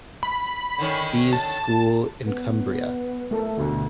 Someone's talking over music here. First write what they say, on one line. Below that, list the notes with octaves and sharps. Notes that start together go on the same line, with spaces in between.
Bees school in Cumbria.
B5
D3 D#3 C#4
A5
B3
A3 A4 A#4
D2 B2 D3